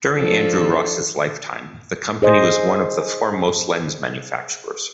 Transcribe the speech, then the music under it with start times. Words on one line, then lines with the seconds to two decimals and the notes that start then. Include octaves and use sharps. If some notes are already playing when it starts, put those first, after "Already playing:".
During Andrew Ross's lifetime, the company was one of the foremost lens manufacturers.
0.15 F3 D4 A4
2.22 G#4 C5 D#5